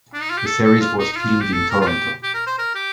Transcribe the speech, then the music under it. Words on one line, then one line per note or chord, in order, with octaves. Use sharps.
The series was filmed in Toronto.
D4
D#4
F4
G4
A4
A4
F4
D#4
D#4
F4
G4
A4
A#4
F4
G4
G4
A#4
C5
A#4
G4